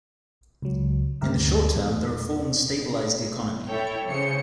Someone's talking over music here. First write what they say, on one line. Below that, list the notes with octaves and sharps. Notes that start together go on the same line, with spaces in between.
In the short term, the reforms stabilised the economy.
C#2 F#3
D2 G2 G4 A#4 E5 E6
E2
E4 A4 C#5 G5
C#3 C5 C#7